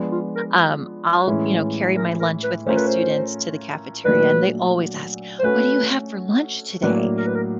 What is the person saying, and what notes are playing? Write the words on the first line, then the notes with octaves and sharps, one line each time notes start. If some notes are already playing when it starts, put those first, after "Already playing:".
um, I'll, you know, carry my lunch with my students to the cafeteria, and they always ask, "What do you have for lunch today?"
Already playing: F3 G#3 B3 D4
F4
A#4
A2 E3 G#3 C#4 E4
A#4
A#4
B4
A3 C#4 F4 A#4 C5
B4
C5
A#2 F#3 A3 D4 B4
C5
A3 C#4 F#4 A4 B4
A2 F#3 A#3 D4 B4
A#4
B4
A#4